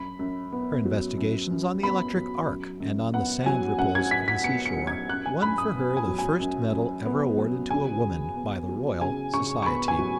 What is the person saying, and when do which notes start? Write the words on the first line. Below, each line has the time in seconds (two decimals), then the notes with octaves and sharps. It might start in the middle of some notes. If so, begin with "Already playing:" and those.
Her investigations on the electric arc and on the sand ripples of the seashore won for her the first medal ever awarded to a woman by the Royal Society.
Already playing: F#2 B5
0.19 F#2
0.53 B3
0.85 F#3
1.18 F#2
1.51 F#2
1.83 B3 B5
2.15 F#3
2.48 F#2
2.80 F#2
3.14 B3 F#5
3.46 F#3 G#5
3.78 F#2 F#5
3.95 G#6
4.11 F#2 B6
4.28 B6
4.44 B3 C#7
4.66 C#7
4.77 F#3
4.87 G#6
5.09 F#2 F#6
5.26 G#5
5.42 F#2 B5
5.58 D#6
5.75 B3
5.97 G#5
6.08 F#3
6.18 G#5
6.40 F#2
6.72 F#2
7.05 B3
7.38 F#3
7.70 C#3 G#5
8.04 C#3
8.36 B3
8.68 F#3
9.01 C#3 G#5
9.34 C#3 C#6
9.62 C#6
9.66 B3 B5
9.88 G#5
9.99 F#3